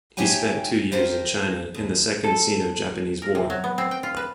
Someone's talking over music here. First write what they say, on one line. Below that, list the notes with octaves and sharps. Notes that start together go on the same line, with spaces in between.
He spent two years in China in the Second Sino-Japanese War.
A3 D#4 G4 C#5 G5 G#5
F4 G4 A#4 C5
D#2
A4
A#4
C3
F#3
B3
C4
G5
F4
B4